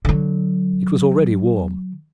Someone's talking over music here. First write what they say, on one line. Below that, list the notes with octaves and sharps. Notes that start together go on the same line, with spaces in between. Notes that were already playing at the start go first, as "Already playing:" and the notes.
It was already warm.
D3 F#3